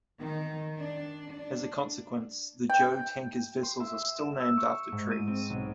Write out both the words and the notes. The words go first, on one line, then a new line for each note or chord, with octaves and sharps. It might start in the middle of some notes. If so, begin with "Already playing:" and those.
As a consequence the Jo Tankers' vessels are still named after trees.
D#3
D4
D4
G5
C6
E5
E7
E6
C#6
G#2
D#7
C4
B1